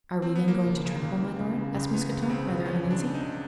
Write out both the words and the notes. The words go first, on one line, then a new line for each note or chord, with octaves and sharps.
"Are we then going to travel, my lord?" asked Mousqueton, rather uneasy.
C4
B3
E3 A#3
C#2
C#3
C#2
E3
C#2
C#3
C#2
E3 B3
C#2
B3
C#3 C4
C#2
E3 C#4
C#2
D4
C#3
D#4
C#2